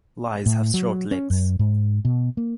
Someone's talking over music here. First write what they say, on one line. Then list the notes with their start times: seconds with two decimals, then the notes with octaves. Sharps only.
Lies have short legs.
0.46 A2
0.74 F#3
1.11 C#4
1.30 F#2
1.59 G#2
2.05 B2
2.37 A#3